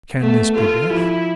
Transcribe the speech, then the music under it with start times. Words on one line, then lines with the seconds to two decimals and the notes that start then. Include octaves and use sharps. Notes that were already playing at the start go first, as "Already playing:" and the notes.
'Can this be death?
0.21 A3 B3
0.55 F4 A4
0.90 F3 E4